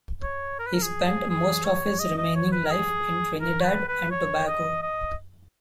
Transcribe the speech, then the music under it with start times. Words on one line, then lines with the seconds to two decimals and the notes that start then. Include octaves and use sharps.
He spent most of his remaining life in Trinidad and Tobago.
0.23 C#5
0.59 A#4
0.67 B4
0.74 A#4
0.82 G#4
1.06 G#4
1.30 G#4
1.65 C#5
2.00 D#5
2.18 D#5
2.36 C#5
2.52 B4
2.65 A#4
2.71 G#4
3.41 A#4
3.60 C#5
3.64 B4
3.88 B4
4.11 C#5
4.47 D#5
4.82 D#5